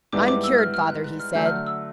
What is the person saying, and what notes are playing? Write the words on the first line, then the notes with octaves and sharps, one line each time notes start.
"I'm cured, father," he said.
G#2 E3 G3 B3 D4 D6
D6
E6
F6
F6
F#6
F#6
F6
D3 F#3 A3 D4 G6
F6
F6
E6